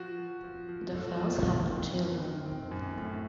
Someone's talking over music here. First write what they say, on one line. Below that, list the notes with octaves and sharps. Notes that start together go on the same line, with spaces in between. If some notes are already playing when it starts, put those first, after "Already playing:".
The Fells have no children.
Already playing: F3 F#4
F3
F3
F3
F3 A4
F#4
F2 F4
A3
F2 A#3
F2
F#2
D#3
D#3 C4
F#2
A2